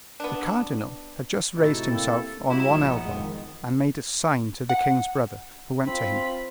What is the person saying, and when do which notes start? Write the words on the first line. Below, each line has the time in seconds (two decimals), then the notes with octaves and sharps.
The cardinal had just raised himself on one elbow, and made a sign to the king's brother, who went to him.
0.20 B3 D4
1.56 A2 C3 D#4 E4 F#4 A4
1.90 A#3 C4 A4
2.50 G3 D#4 E4 F#4 E5
2.70 A#1
2.89 B3
3.05 F2 D#3 G#3
4.69 F#5
5.87 C4 F4 B5